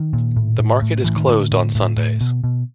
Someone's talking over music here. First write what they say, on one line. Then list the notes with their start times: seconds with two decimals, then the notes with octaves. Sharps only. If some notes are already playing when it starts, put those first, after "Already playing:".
The market is closed on Sundays.
Already playing: D#3
0.13 A#2
0.36 A2
0.59 A2
0.82 A2
1.04 A2 E3
1.16 D#3
1.28 A2 D3
1.52 A2
1.75 A2
1.97 A2
2.21 B2
2.44 B2